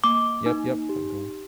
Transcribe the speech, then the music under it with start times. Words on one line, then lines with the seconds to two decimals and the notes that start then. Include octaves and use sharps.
Yep, yep. Have a good one.
0.04 A#3 D6
0.46 D#4
0.89 G4